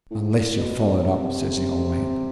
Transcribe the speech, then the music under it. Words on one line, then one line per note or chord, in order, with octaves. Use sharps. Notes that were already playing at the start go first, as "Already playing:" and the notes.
'Unless you're followed up,' says the old man.
A2
B2
C3